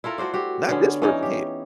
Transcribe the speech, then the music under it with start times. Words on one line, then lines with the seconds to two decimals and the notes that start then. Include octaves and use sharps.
Not this person here.
0.04 E4 F4 A4 A#4
0.18 A3 F#4 C5 D5
0.33 F#4 G4
0.69 D3 B3 C#4
1.02 E3 C#4 D#4
1.23 G4